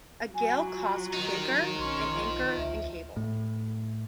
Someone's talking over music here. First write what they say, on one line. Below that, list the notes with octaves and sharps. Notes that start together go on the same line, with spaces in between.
A gale cost "Quaker" an anchor and cable.
F#3 G#5
F4
D#3 D#4
B1 C#4 C#5 C6
F3
D2 E5
A2